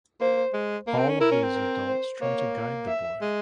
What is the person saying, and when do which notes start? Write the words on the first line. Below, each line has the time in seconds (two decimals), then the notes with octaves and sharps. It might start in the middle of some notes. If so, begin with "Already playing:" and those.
All of these adults try to guide the boy.
0.21 A#3 C5
0.54 G#3
0.87 A#3 A#4
0.98 C4
1.09 C#4
1.20 E4 A#4
1.32 C#4
1.43 C4
1.55 A#4
1.88 C5
2.21 A#3 C#5
2.88 E5
3.22 G#3